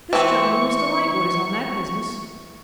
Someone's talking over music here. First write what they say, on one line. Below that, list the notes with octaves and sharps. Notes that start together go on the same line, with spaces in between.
'This gentleman, Mr Lightwood, is on that business.'
E3 C4 C#6